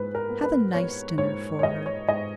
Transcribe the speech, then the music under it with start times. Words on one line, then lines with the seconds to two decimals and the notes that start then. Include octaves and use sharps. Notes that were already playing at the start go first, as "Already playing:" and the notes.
Have a nice dinner for her.
Already playing: G#2 B4
0.15 A#4
0.30 B3
0.43 B4
0.74 B3 C#5
1.18 G#2 C#5
1.59 C#5
1.63 G#2 D#5
1.86 C#5
2.08 G#2 D#5